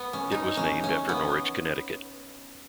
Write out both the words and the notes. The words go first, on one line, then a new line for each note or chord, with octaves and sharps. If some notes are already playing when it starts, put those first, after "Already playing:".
It was named after Norwich, Connecticut.
Already playing: B3
C#4
D#4
C#4
C#4
B3